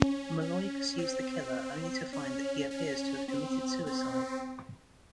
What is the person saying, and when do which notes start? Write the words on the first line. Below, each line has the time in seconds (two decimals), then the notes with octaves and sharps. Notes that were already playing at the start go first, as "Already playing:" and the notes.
Malloy pursues the killer only to find that he appears to have committed suicide.
Already playing: C#4
0.41 C#4
0.98 C4
2.13 C#4
2.71 C#4
3.28 C4
3.86 C4